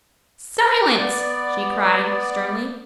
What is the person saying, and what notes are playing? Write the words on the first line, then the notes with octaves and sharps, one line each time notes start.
"Silence!" she cried, sternly.
B3 D5